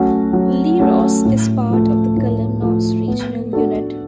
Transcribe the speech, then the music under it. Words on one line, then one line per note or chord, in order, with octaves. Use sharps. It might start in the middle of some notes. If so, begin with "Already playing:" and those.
Leros is part of the Kalymnos regional unit.
Already playing: F#3 A3 C#4 F#4
F#3
A3 C#4 F#4
A2
F3 A3
A2
F3 A3
B3
D4 F#4 A4